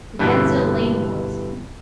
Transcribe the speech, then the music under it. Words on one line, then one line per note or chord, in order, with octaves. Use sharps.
The Denzille lane boys.
G2 B2 D3 E3